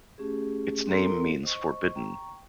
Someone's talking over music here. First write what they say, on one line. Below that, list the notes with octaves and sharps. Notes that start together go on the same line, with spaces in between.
Its name means "forbidden".
A3 C#4 G4 G#4
C4 F4 A4 A#4 A#5 C6
C5 D#5 C#6
G5 A#5 C#6